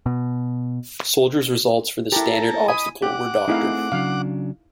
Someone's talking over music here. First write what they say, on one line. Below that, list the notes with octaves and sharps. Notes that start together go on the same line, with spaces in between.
Soldiers' results for the standard obstacle were doctored.
B2
E4 G4 A4 A#4
D#5 G#5 B5 D#6
G4 F#5 D6
A3 C4 D#4 E4 G#4 F5
C#3 F#3 D4 F5